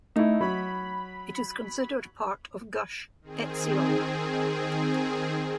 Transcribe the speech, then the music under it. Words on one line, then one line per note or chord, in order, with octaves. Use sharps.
It is considered part of Gush Etzion.
A3 D#4 E4
F#3 B5
D#3 C4 G#4